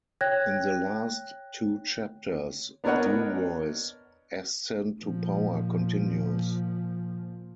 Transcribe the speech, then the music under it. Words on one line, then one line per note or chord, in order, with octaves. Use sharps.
In the last two chapters, Duroy's ascent to power continues.
C#5 G5 F#6 G#6 A#6
B3 D4 A#4 C#5 D#5 F#5
A#2 F3